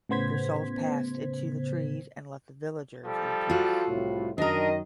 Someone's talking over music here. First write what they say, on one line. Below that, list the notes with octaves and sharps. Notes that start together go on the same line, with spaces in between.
Their souls passed into the trees and left the villagers in peace.
A2 C#3 B3 C5 G#6 B6
F3 G3 A4
F4 F#4
C2 A2
F#2 D#3 D4 A#4 D#5